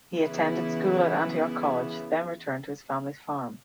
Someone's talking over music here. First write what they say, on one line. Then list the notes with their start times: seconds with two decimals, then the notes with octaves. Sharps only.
He attended school at Antioch College then returned to his family's farm.
0.16 C#3 E3 B3 E4